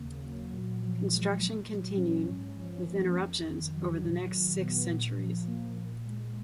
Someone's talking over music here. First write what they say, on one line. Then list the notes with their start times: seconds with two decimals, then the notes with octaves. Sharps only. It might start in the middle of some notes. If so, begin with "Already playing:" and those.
Construction continued, with interruptions, over the next six centuries.
Already playing: D#2 C#3 A#3
0.22 F#3
0.52 A#2
0.80 F3
1.10 G#3
1.39 A#2
1.68 F#3
1.97 C#4
2.26 G#2
2.56 F3
2.85 A#3
3.14 F2
3.44 D#3
3.73 F#3
4.02 A#2
4.31 F#3
4.60 B3
4.89 A#2
5.18 F3
5.47 A#3
5.77 A#2
6.05 G#3